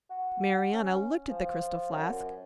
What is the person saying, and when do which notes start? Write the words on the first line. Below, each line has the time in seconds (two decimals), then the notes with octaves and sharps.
Marianna looked at the crystal flask.
0.10 F#4
0.73 C#4
1.30 F3
1.91 F#2